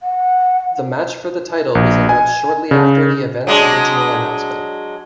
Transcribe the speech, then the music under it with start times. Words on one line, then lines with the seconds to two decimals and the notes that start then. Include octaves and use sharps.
The match for the title was announced shortly after the events original announcement.
0.01 F#5
1.75 A#1
2.09 G#5
2.71 C#3
3.47 F#3 G#3 D4